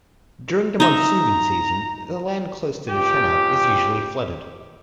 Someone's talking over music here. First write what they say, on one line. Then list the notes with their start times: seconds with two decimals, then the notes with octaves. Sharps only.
During the monsoon season, the land close to the Chenab is usually flooded.
0.80 D#4 E5 A#5
2.90 C#2 G4